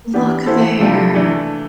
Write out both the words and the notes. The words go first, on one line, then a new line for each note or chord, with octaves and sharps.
Look there.
E3 B3 D4 G4
E3 B3 E4 A4 C5
C3 F3 A3 D4 G4
E3 A3 D4